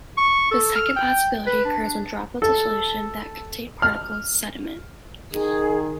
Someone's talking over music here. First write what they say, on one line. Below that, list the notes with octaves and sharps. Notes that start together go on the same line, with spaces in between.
The second possibility occurs when droplets of solution that contain particles sediment.
C#6
A4
F6
G5
B4
D4
A4
F6
D#3 G#4